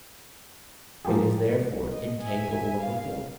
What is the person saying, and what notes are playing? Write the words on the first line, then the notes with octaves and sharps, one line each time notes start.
It is, therefore, incapable of reform.
F3 A#3 F4 G4 G#4
D#5
E5 G#5
F5